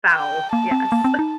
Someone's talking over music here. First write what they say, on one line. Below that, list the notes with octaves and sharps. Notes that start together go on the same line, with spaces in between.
Foul, yes.
G5
A#3 A5
C4
A#3
C4
D#4